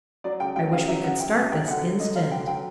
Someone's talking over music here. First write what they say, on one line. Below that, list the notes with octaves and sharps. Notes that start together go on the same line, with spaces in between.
"I wish we could start this instant."
F#3 D5
C#3 G5
F#3 G5
C#3 F5
F#3 E5
C#3 F#5
F#3 G5
C#3 G#5
F#3 G5
D3 F#5
F#3
D3 D#5
F#3 F5
D3 G5
F#3 G5